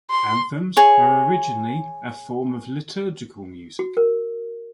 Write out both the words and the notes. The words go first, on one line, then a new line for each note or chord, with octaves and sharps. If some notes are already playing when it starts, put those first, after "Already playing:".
Anthems were originally a form of liturgical music.
C6
G#4 C#5
F#4
A#4